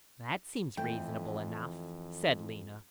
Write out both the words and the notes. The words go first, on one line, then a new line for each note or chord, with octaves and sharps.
"That seems reasonable enough," said Lena.
F2 E3 A3 G5